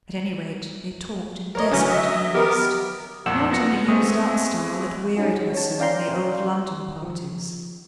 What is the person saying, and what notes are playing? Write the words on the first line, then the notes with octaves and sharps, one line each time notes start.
At any rate, they talked in desperate earnest,--not in the used-up style that wearied her so in the old London parties.
A#4 C#5 D#5
D3 E3 F#3 C#4
D#5 E5
B3 G4 A#4
C2 F2 A#2 F#5 E6 E7
F#2 B3 F4 A#6 C#7
G#3 A3 B3 C4 D#6
F#3 C#4 D#4 F#4 G#4
C#5 A5
C#4 D5 F5 G5 A#5 C6
F3